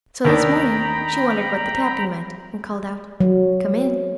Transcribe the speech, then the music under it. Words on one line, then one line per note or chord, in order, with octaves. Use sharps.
So this morning she wondered what the tapping meant, and called out: "Come in."
D#2 D#3 D4 G5 A#5 B5
F#3